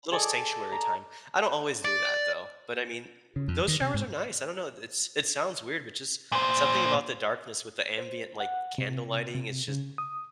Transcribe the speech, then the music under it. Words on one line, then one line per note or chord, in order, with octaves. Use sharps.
little sanctuary time. I don't always do that, though, but, I mean, those showers are nice. I don't know. It's it sounds weird, but just something about the darkness with the ambient, like, candle lighting, it's just
G#4 A4 D5 D#5
A#5
D5
C#3
F2
D#3
C3
G#2
A#2 C5
C5
F#5
C3
C3
C#3
D#6